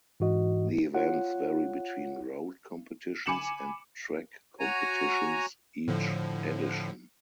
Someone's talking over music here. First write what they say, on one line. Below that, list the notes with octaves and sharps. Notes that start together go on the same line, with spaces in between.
The events vary between road competitions and track competitions each edition.
G#2 E3 F#4 D#5
F4 C#5 F#5
G#5 B5 D6 C#7 E7 F#7
F#4 C#5 G#5 A#5
A2 D3 F3